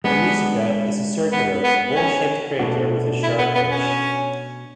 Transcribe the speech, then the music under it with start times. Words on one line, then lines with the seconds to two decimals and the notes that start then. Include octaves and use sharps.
Onizuka is a circular, bowl-shaped crater with a sharp edge.
0.04 G#3 B3 D4 G#4
1.32 B3
1.64 B3
1.96 C#4
2.59 B2 A3 D4 F#4
3.23 E4
3.39 B3
3.55 B3
3.71 C#4